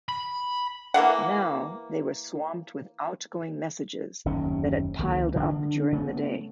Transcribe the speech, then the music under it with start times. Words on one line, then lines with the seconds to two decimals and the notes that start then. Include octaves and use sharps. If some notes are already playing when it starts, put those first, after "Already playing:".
Now they were swamped with outgoing messages that had piled up during the day.
0.09 B5
0.94 E3 A#3 F5 F#5
4.25 F#1 D#2 C3 C#4
4.99 C#2 D#3 A#3
5.36 D3 D4
5.92 C#3 A3 B3